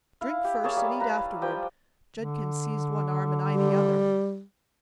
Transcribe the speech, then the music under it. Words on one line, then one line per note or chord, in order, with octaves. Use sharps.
"Drink first and eat afterward." Judkins seized one arm and I the other.
E4 F5
G4
A#3 G#4 C#5 A5
G3
B4 A5 A#5
F3 G3 G5
D3
G3